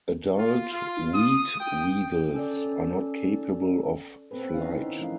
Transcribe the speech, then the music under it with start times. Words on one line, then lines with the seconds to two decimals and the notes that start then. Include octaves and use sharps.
Adult wheat weevils are not capable of flight.
0.38 F4
0.73 F4
1.14 D#6
1.60 G5
2.34 C#4 A4 D5
4.31 B3 C4 A4 B4
4.54 D#3 B3 C#4 E4 F5
4.74 D#4
4.99 E3 F3 A3 C#4 F5